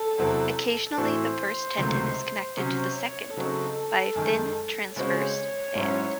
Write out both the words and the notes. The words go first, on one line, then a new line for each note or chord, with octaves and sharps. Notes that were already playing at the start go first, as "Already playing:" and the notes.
Occasionally the first tendon is connected to the second by a thin transverse band.
Already playing: A4
E2 C3 F#3 C4 E4
A2 E3 C4 F#4 A4 C5
C#2 C3 D#3 F#3 A3
C3 F#3 C#4 F#4 C5
C#5
C#3 F#3 C4 D#4 F#4 A4
F#2 D#3 G#3
C#3 G#3 C4 F#4 C5 C#5
G#2 F#3 C#4 E4 C5